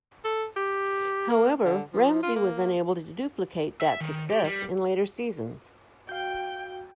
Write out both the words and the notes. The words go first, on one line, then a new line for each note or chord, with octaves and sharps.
However, Ramsay was unable to duplicate that success in later seasons.
A4
G4
A#3
D3
F3
F4
A#3
E5
D#3
G4
G3
F#4 F5 G5 G6